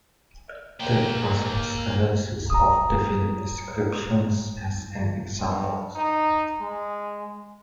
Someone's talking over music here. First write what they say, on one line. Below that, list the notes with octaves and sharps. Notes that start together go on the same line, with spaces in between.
Take Russell's analysis of definite descriptions as an example.
A#3 G5
A#5 D#6
G2
D#4
G#3